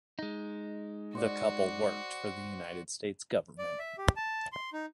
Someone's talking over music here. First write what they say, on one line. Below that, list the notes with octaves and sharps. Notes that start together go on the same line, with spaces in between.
The couple worked for the United States Government.
G#3 D#4
F#4 C5 D5
D5
E5
G4
A5
C6
D#4